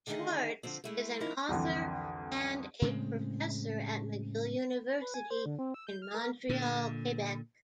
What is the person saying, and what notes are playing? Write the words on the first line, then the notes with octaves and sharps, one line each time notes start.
Schwarcz is an author and a professor at McGill University in Montreal, Quebec.
D3 D#3 A3 D#4 G#4
D3 F3 C4
G#3 A3 E4
F3 A#3 C#4 D#4 E4 A#4
C2 F2 D3 E3
A2 C#3 G#3 C4
B4
G#5
C5
D3
C4
E6
G6
F6
A#4
A#2 D3